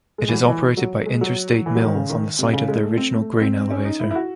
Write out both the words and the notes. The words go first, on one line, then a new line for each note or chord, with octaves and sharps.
It is operated by Interstate Mills on the site of the original grain elevator.
G#3
E3
F#3
E3
F#3
G#3
F#3
E3
F#3
D#3
C#3
D#3
C3
C#3
G#3
A3
C4
A3
C4
C#4
D#4
E4
E4
F#4